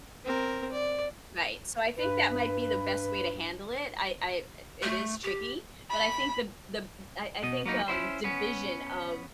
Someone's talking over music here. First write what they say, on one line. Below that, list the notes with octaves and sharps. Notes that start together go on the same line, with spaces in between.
Right, so I think that might be the best way to handle it, I I it is tricky, but I think the the I I think, um, division of
C4 A#4
D5
G2 B4
A3
G4
B5
B2 D#5
F#3 A#3 B3 D#4
C#4 E4 C5
B3 C#4